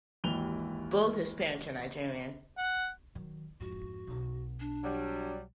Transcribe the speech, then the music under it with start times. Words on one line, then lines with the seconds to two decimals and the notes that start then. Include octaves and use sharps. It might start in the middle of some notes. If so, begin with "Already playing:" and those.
Both his parents are Nigerian.
0.24 G#1 D#2 E3 G4 F7 G7
2.58 F#5
3.15 D#3 F#3
3.60 F2 G#2 F#4
4.07 B1
4.59 D4
4.83 F#3 G3